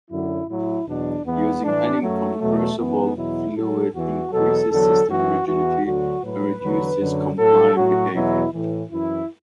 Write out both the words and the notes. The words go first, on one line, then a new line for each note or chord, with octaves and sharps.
Using an incompressible fluid increases system rigidity and reduces compliant behavior.
F#2 D3 F#3 E4
A2 F#3 E4
E2 B2 F#3 D4
E2 E3 B3
A2 E3 D4
F#2 F#3 A3
E2 B2 F#3 A3
F#2 E3 B3
E2 B2 F#3 E4
A2 F#3 A4
E2 E3 F#4
E2 B2 F#3 A4
E2 D3 F#3 A4
F#2 E3 F#4
E2 E3 F#4
D2 D3 F#3 F#4
A2 F#3 B4
E2 D3 F#3
F#2 D3 F#3
A2 F#3 A4
A2 F#3 F#4
E2 B2 F#3 E4
A2 E3
F#2 E3 E4